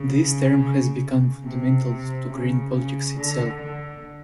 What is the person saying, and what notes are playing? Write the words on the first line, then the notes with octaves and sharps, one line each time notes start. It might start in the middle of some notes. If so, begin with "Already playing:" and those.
This term has become fundamental to green politics itself.
Already playing: C#3
C3
C3
C#3
C#3
D3
D3